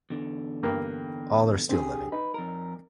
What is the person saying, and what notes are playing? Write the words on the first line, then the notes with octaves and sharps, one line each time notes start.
All are still living.
E2 D3
G2 A#3
D3 C4 G4 G#4
D#4 B4
F2 A#4